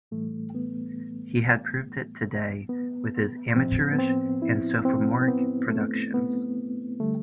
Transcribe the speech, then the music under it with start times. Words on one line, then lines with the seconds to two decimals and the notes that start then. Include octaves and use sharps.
He had proved it today, with his amateurish and sophomoric productions.
0.11 A2 E3 G3 A3
0.55 B3
2.69 B3
3.56 A2 F3 C4
3.92 B3
3.98 C4
4.42 E4
4.85 C4
5.22 C4
5.28 B3
5.70 A3
6.14 B3
7.00 D3 G3 A3